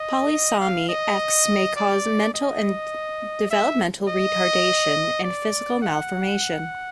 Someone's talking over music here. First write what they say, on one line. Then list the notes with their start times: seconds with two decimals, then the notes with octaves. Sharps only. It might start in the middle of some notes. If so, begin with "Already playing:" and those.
Polysomy X may cause mental and developmental retardation and physical malformation.
Already playing: D#5
0.61 F5
0.89 D#5
1.76 D5
2.35 D#5
3.51 E5
4.08 D#5
5.24 D5
5.82 F#5